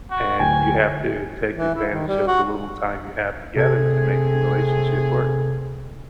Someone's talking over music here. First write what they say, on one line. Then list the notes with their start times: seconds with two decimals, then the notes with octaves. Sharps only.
and you have to take advantage of the little time you have together to make the relationship work,
0.11 F#4
0.39 D1 G5 G#5
1.56 E3
1.75 E4
1.93 D#3
2.07 G3
2.27 F#4
3.56 C3 A3 C4 G#4 A4 G#6